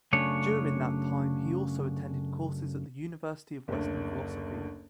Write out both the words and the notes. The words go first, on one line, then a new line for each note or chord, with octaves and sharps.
During that time, he also attended courses at the University in Western Philosophy.
F#2 C#3 A3 D4 C#5
F#1 D2